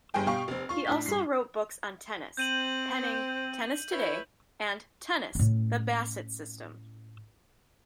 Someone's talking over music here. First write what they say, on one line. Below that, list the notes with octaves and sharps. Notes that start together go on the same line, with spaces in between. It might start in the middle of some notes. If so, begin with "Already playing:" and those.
He also wrote books on tennis, penning "Tennis Today" and "Tennis: The Bassett System."
G1 G2 G#4 G5 G#5
B2 G3 F5 G5 C#6
F1 C4
F4 C#6
A2 D4 B6
G2 C7
C4 G6 D#7 F#7
E4 B4 C#5
A2 C#4